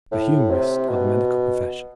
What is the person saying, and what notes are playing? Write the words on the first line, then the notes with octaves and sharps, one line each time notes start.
The humorist of the medical profession.
A2
C3
B2